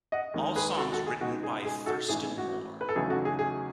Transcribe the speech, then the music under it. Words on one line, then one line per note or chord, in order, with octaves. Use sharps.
All songs written by Thurston Moore.
D#5 F#5
D#2 D#3 G#3 D#4
G#4 B4
F#4 A4
F#4 A4
G#4
C#2 B2 G#3 D#4 F#4
G#4
G#4
F#4 A4
A1 G#2 E3 G#4
G#4
F#4
B4
A4
E2 C#3 F#3 A3 D#4 G#4
F#4
G#4
G#4